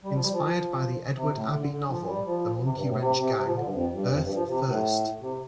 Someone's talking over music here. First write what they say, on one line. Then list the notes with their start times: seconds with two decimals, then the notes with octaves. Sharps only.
Inspired by the Edward Abbey novel "The Monkey Wrench Gang", Earth First!
0.03 G3
0.14 F3
0.22 G3
0.31 F3
1.15 C3
1.34 A2
1.52 D3
1.70 D3
1.89 F3
2.07 G3
2.25 F3
2.62 C3
2.74 G2
2.87 A2
2.99 C3
3.17 C3
3.36 C3
3.45 F3
3.55 D3
3.64 G2
3.72 F2
3.91 G2
4.10 F2
4.23 G2
4.34 F3
4.47 C3
4.66 A2
5.21 C3